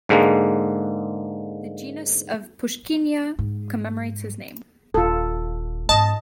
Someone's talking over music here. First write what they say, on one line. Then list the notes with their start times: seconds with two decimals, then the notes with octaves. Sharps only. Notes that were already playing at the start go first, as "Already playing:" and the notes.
The genus of Puschkinia commemorates his name.
0.09 G#2 D3 G#3 A#3
3.39 G#2
4.94 D#1 F4 A4
5.89 G#2 B3 D#5 A5